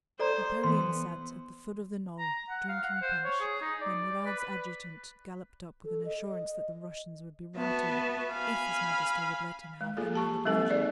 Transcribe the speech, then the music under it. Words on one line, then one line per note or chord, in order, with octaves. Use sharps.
Napoleon sat at the foot of the knoll, drinking punch, when Murat's adjutant galloped up with an assurance that the Russians would be routed if His Majesty would let him have another division.
A4 C5 D5 A#5
E3 B3 E5 C6
A#5
F#5
F5
F#5
C5
C#5
G#4
D#4
D5
B4
B4
A4
D#5
D#5
B3 F#4 E5 A5
F5 G#5 B5
G#3
A#3 F4 G#4 A4
G4 A5 C#6
F#3 G#3 A#3 C4 D#4 A4
G#4 B4 D5 D#5